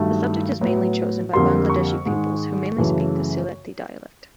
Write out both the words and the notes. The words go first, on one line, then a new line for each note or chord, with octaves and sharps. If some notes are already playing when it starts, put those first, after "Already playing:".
The subject is mainly chosen by Bangladeshi pupils, who mainly speak the Sylheti dialect.
Already playing: G2 D#3 F#3 A3
A2 F#3 B3
F2 D3 G3 A#3 C6
C#6
G#2 D#3 G#3
F#2 C#3 E3 A3